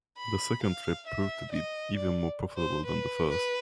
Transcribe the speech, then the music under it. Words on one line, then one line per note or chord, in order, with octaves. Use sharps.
The second trip proved to be even more profitable than the first.
B5
F5
E5
D#5
D5
C5
B4
B4